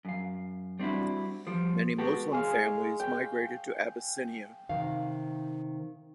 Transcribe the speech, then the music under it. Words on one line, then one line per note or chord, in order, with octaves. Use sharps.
Many Muslim families migrated to Abyssinia.
F#2 F5
G3 C4 D4 E4 F#4
F3 G3
G#3 B3 F#4 G4 A4
G#3 F5
G5
C3 D#3 F5